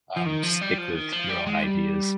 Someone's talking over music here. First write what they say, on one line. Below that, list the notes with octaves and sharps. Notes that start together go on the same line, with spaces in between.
um, stick with your own ideas.
F3
D#3
F3
G3
F3
D#3
F3
G3
G#3
G3